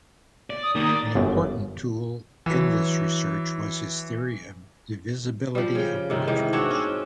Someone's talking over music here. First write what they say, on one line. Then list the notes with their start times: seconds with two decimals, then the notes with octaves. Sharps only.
An important tool in this research was his theory of divisibility of modules.
0.50 D5
0.63 D#6
0.75 D#3 A#3 D#6
0.89 D5
1.15 G1 F#2
2.46 E3 F#3
5.55 F3 G3
5.75 C#3 G5
6.10 C3 D#3
6.27 G#2 D#3 E3
6.53 C4 D4 F#4 C#5
6.71 C4 C#4